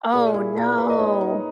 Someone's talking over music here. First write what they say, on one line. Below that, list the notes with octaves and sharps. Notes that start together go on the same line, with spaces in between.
Oh, no.
A#2 G#4
E4 G#4
A#2 A#4
A#2 B4
D#5
D#4 C#5
D#4